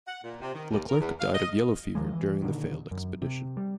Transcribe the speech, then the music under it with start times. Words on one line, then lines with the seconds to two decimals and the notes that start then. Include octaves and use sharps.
Leclerc died of yellow fever during the failed expedition.
0.08 F#5
0.24 A#2
0.41 C3
0.55 D#3
0.71 D#2
0.89 A#4
1.00 E2
1.20 F5
1.34 D#5
1.95 D#2 D#3 F3 G#3
2.13 E3
2.42 A#2 D3 D#3
2.91 F#2
3.22 C3
3.57 G3